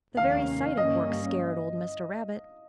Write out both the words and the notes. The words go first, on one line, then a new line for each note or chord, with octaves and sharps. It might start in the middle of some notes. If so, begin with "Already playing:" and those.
The very sight of work scared old Mr. Rabbit.
F1 D#2 D#3 A#3 C#4 F5
G1 G2 G3 A#3 C#4 D#5